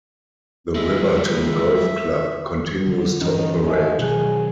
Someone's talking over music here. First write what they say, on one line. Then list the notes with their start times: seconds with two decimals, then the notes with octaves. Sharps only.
The Riverton Golf Club continues to operate.
0.75 F3 G#3 E5
2.88 D3
3.21 G2 D#3 E3 C#4 D#4
3.64 F3 G#3 A3
3.99 B2 D#3 F#3 G#4